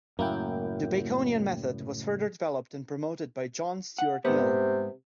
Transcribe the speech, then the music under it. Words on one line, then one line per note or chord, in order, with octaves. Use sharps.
The Baconian method was further developed and promoted by John Stuart Mill.
C#2 F#2 A2 A#3 E4 G5
F#5
G#2 C3 A3 B3